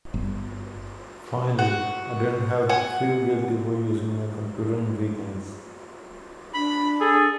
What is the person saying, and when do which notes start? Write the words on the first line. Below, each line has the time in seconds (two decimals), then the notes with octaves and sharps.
Finally I didn't have to feel guilty for using my computer on weekends.
0.14 G1
1.59 F#4
2.69 F#5 G#5
6.54 D4 B5
7.00 G#4 A4